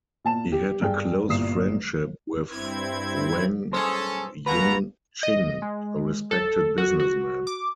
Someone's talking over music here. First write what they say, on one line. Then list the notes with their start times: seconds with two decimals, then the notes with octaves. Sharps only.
He had a close friendship with Wang Yung-ching, a respected businessman.
0.24 A#2 A5 E7
0.52 G4
0.81 G2 G#4 G5
1.28 G1 G2 A#2 D#6 C7 E7
2.50 G2 C4 E4 G#6
3.73 B1 G2 C#4 G#4 A4 C5
4.46 B2 G#3 A#3 F#4 B4 A#5
5.23 D#5
5.62 G#3
6.31 A4
6.78 F#4
7.00 F#4
7.47 D6